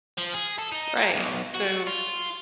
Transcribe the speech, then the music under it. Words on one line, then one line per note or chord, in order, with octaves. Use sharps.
Right, so
F3
G#4
A4
D#4
A#3
B1
F#4
F4